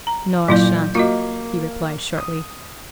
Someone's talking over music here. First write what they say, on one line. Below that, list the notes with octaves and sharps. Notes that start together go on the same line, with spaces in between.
'No, I shan't,' he replied, shortly.
A#5
A#2 F#3 E4 D5 G6
A#3 F4 F#4 D#5
D#6